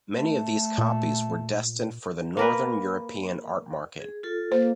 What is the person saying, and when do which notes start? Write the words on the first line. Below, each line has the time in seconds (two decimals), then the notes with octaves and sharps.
Many of these copies were destined for the Northern-European art market.
0.16 A3
0.78 A#2
2.37 A#3 A#4 B4
4.00 G#4
4.23 F4 A4
4.52 A#3 C5